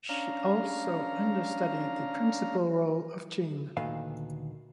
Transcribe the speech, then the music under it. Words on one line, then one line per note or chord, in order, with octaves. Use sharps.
She also understudied the principal role of Jean.
C#4 D4 F5 A#5
D2 A#2 D#3 A4 B4 F5